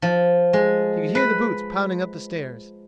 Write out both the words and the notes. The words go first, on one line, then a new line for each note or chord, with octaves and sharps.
He could hear the boots pounding up the stairs.
F3
G#3
B4